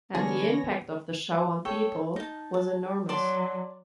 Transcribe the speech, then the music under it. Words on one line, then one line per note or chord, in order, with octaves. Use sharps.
And the impact of the show on people was enormous.
D3 E3 B3 C#4 G#4 C#5 A#6
A4 C#5 G5
D#4 A5
A5
F#3 D5 A5 C6